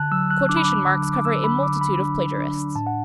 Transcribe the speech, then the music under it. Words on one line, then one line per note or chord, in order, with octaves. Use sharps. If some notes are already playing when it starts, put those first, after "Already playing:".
Quotation marks cover a multitude of plagiarists.
Already playing: D3 A5 F#6
F#3 E6
F#6
D4 D6
B5
D6
D3
D6
D3 E6
B5
D3 D6
B5
D4
D4
A2 A5
F#5